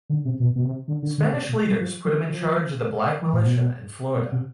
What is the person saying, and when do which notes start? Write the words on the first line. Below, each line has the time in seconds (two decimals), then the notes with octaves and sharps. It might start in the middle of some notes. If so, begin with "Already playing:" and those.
Spanish leaders put him in charge of the black militia in Florida.
0.10 D3
0.25 C3
0.40 B2
0.56 B2
0.64 C3
0.88 D3
1.03 D3
1.18 D3
1.34 C3
1.49 B2
1.66 G3
1.81 F3
2.05 F3
2.28 F3
3.22 E3
3.33 A2
3.45 B2
4.16 B2
4.32 C3